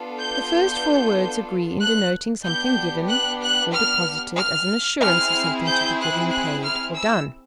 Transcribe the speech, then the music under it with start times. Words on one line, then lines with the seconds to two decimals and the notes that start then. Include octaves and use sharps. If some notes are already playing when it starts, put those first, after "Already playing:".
The first four words agree in denoting something given or deposited as an assurance of something to be given, paid, or done.
Already playing: B3 D4 F4 A4
0.19 G6
1.80 F#6
2.44 B3 D4 G4 G6
3.10 F#6
3.41 F#6
3.73 F6
4.38 F6
5.02 C4 E4 G#4 F6
5.67 G6
6.00 F#6
6.31 F#6
6.63 F6
6.95 E6